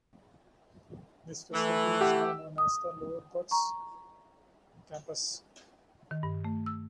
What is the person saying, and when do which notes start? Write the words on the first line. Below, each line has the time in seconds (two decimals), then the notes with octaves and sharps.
This facility is now known as the Lower Bucks Campus.
1.53 E3 A3
2.01 G4 F#5 E6
2.58 D#6
3.51 A#5 C#6
6.11 D#3
6.23 G2
6.44 A3
6.66 E6